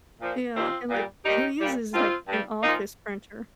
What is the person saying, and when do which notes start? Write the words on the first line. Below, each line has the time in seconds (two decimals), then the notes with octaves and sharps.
Yeah, and, like, who uses, like, an office printer?
0.21 A#2 F3
0.55 D#2 D#3 G3 C4 F4
0.90 A#2 G3
1.24 D#2 D#3 G3 D#4 G4
1.59 A#2 G3
1.93 G2 D#3 G3 C4 F4
2.28 G2 G3
2.63 A#2 F3 A#3 D#4